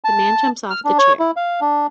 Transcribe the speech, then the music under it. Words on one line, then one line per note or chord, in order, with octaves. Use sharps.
The man jumps off the chair.
A5
F6
D4
C#5
E4
F5
D4